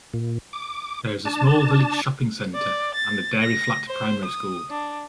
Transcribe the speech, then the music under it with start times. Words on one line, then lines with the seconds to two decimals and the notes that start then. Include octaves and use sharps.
There is a small village shopping centre and the Dairy Flat Primary School.
0.14 A#2
0.53 D6
1.25 D4 A5
2.54 D5
2.94 A6
3.40 A#6
3.88 C5
4.24 D#6
4.70 D4